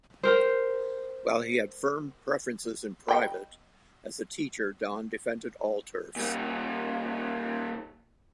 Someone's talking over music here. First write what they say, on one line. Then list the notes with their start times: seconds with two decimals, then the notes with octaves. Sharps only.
While he had firm preferences in private, as a teacher Don defended all turfs.
0.23 G4 A#4 C5
3.09 D#5 G5 B5
6.16 A#2 G3